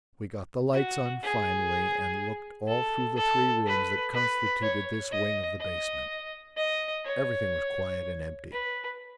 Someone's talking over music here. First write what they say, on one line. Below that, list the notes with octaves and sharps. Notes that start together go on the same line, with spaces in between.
We got the lights on finally and looked all through the three rooms that constituted this wing of the basement. Everything was quiet and empty.
F#4
G#4
A4
A4
B4
B4
C#5
D#5
D#5
D#5
C#5
B4